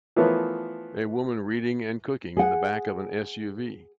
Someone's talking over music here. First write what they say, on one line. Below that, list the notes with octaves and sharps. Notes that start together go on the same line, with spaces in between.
A woman reading and cooking in the back of a SUV.
E3 F3 A3 B3 A#4 C#5
G#4 F#5